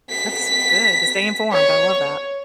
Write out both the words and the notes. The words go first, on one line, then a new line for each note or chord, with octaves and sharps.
That's good, to stay informed, I love that.
B6
C#5